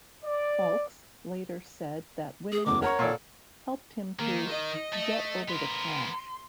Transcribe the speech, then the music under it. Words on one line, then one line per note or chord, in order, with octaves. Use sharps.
Foulkes later said that winning the Cup helped him to "get over the crash".
D5
G#4
F#1 E2 D6
A#4 C#5 F#5 A#5 C#6
A#2 A4 D5
D#3 A#3
D#5
A3
B3 A#4 C6